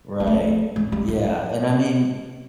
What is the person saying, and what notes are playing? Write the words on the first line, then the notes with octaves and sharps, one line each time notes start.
Right. Yeah. And I mean
G#3
A3
G#3
G3
F#3